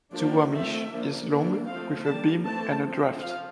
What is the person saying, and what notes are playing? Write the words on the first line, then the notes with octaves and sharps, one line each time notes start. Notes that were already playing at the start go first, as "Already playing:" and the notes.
"Duwamish" is long with a beam and a draft.
F3 A#3 D4
F3 A3 C4 E5
F3 A#3 D4
E3 A#3 D4
F3 A3 C4 F5
G3 A#3 D4 A5
E3 A3 C4 A5
F3 C4
F3 F5